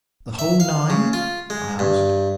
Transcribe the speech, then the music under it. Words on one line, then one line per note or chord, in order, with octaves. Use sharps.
"The whole nine?" I asked.
E5
F5
C#3
F4
G#3
G2